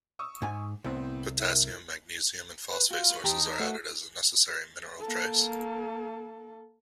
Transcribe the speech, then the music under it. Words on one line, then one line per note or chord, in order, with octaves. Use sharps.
Potassium, magnesium and phosphate sources are added as a necessary mineral trace.
C#6 D#6 E6
G#2 G#5
C2 A2 B3 C4
E4 A#4
B4
F4 F#4
B4 C#5
E2 D#4 G4 A#4 C5 A5 A#5
A#4
A3 F#4 B4 D#5
A#3 A4